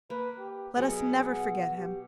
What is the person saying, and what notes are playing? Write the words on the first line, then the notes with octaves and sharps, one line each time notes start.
Let us never forget him.
A#3 B4
G4
B2 F#3 G#4
F#5
G4